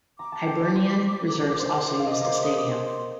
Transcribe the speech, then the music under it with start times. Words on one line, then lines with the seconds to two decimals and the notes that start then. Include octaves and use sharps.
Hibernian Reserves also used the Stadium.
0.18 A#5 D6
0.32 A5
0.47 G5
0.61 D5
0.75 C5
1.31 A#4
1.59 C5
1.77 C5
1.88 D5
1.99 F5
2.06 D#5
2.21 A#4 C5
2.44 D#6
2.58 D6
2.72 C6
2.86 C6